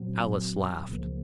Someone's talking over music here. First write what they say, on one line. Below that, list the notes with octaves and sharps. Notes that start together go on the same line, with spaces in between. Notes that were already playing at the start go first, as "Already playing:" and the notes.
Alice laughed.
Already playing: A#2 F#3 C4
C#2 C#3 F3 A#3